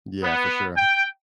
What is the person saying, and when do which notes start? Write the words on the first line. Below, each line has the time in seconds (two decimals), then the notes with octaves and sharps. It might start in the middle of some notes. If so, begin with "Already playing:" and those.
Yeah, for sure.
0.23 B3
0.76 G5